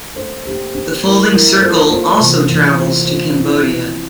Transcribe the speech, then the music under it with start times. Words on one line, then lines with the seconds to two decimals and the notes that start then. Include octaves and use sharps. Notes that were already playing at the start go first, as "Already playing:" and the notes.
The Folding Circle also travels to Cambodia.
0.16 A3 D4 A4 C5
0.46 A#3 D4 G4 C5
0.75 A#3 D4 G4 C5
1.03 A3 E4 A#4
1.33 A3 E4 A#4
1.61 A#3 F4 A4 C5
1.91 A#3 F4 A4 C5
2.20 C3 E3 A#3
2.49 C3 E3 A#3
2.78 A#3 F4 C5
3.07 A#3 F4 C5
3.37 F3 C4 E4
3.67 F3 C4 E4